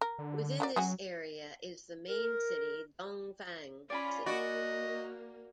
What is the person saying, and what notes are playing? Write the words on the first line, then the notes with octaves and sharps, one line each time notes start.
Within this area is the main city, Dongfang City.
A#4
D3
F#3 A#3 D5
F#3 C#4 F#4 G#4
A#4
C#4 F4 D5 G#5 B5
A#3 F#4 D5 D#5